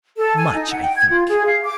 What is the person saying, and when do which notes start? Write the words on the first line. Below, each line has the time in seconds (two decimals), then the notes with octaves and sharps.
Much, I think.
0.18 A4
0.37 G#5
0.54 D#4
0.70 F#5
0.82 G5
0.95 G#6
1.10 F4
1.29 G#4
1.45 F5
1.64 D6